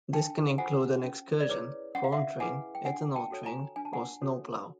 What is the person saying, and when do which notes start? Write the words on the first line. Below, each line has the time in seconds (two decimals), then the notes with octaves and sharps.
This can include an excursion, corn train, ethanol train, or snow plow.
0.13 D4 G5 A5
0.58 F4 A4 C5 F#5 G#5
1.04 C#4
1.40 D5
1.49 E4 G#4 B4 C#5
1.95 C#4 F#5
2.04 F5
2.12 E5 F#5
2.40 E4 G#4 B4 F#5 G#5
2.75 G5
2.85 D4 F#5 G#5
3.16 G5 A5
3.31 F#4 A4 C#5
3.46 G#5 A#5
3.76 D4 G#5
3.85 A5
3.93 F#5 G#5
4.22 F#4 A4 C#5